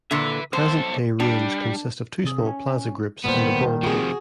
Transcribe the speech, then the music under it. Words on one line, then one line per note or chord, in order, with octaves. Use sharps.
Present-day ruins consist of two small plaza groups and a ballcourt.
A#2 D3 B4 E5
B1 A4 C5
G3 D4
C3 G#4
C#4 G#5
E2 A#2 D#3 G3 A3 B3 C5
C3 F3 F#4 G#4